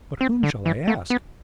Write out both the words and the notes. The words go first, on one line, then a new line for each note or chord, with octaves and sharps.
But whom shall I ask?
C4
D3
E3
A3
B3